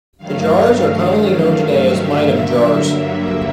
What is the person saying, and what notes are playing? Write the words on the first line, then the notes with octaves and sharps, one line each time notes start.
The jars are commonly known today as Maitum jars.
G2 D#3 F#3 A3 F5
F5
E5
G2 D3 F#3 A#3